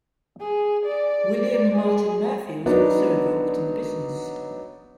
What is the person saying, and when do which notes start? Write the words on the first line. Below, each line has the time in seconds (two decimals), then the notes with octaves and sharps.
William Martin Murphy was also involved in the business.
0.40 G#4
0.85 D5
1.75 G#4
2.66 F#3 B3 D4 D#4